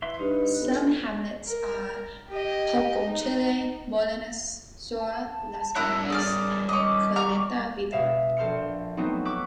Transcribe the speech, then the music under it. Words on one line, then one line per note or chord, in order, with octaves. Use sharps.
Some hamlets are Poconchile, Molinas, Sora, Las Maitas and Caleta Vitor.
E3 E5 C6
G2 D#4 F4 B4
G1
A#4
G4 D#5
D#4
A5
G3 E4 A#4 C#5 A#5 F#6
G#4 D5 F6
C#4 D#5 D6
A#5 C#6 F6
B2 E5 F5 E7
A#1 A4 C5 F6 C#7
F#3 A3 B3 C4 D#4
C#6 D6 E6 F#6 B6